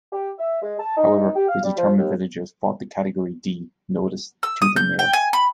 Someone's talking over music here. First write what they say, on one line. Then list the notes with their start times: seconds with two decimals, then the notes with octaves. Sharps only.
However the determined villagers fought the Category "D" notice tooth and nail.
0.13 G4
0.39 E5
0.62 G#3
0.80 A5
0.97 D#4
1.14 D#4
1.35 G4
1.48 F5
1.63 G3
1.78 F3
1.98 D#2
4.43 E6
4.62 D#6
4.76 G6
4.99 G5
5.13 G#5
5.33 B5